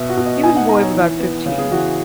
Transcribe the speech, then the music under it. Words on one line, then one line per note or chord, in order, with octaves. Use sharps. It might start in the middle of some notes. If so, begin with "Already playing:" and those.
He was a boy of about fifteen.
Already playing: B2 E5
F#4
B2
D#5
D#4 G#5
F#5
D#4 A#5
C#5
E3
B3
C#3
G#4
E3 F#4